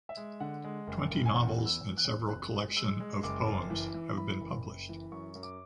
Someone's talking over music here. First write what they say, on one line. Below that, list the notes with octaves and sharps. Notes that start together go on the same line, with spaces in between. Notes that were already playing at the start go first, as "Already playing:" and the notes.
Twenty novels and several collection of poems have been published.
E5
G#3
D3 F#5
G#3
F#1
F#1
G#5
E2 F#5
E2
E6
E2
F#6
E2
F#1 F#6
G#3
G#3 E6
G#3
F#1 D6
F#1
E3
E3
E3 B5
F#1
F#1
E3
F#2 C#6
F#2
D6